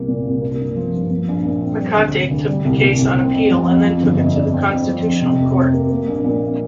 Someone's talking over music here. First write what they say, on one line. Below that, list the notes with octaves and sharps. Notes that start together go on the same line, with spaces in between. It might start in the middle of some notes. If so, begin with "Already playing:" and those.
Makate took the case on appeal, and then took it to the Constitutional Court.
Already playing: C2 A#3
A#2
C2
A#3
G2
F3
G2
F3
A#1
A#2
C4
G3
D2
C3
D2
G3
C2
A#2
C2
C4
F2
F3
F2
F3
G1
F2
D4
C4
F2
F3
F2
C3
F1
F2
A#3
A#3
A#1
A#2